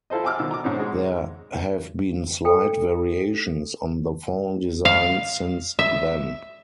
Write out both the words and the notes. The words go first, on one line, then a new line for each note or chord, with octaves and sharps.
There have been slight variations on the font design since then.
E4 F4 A4 C5 D#5
F#5 G#5 A5 D6 E6 F6
B2 D#3 E6
A#5 D6
G#2 B2 D3 C4 C#4 D#4
G#3 F#4
A4 G5
F5
E5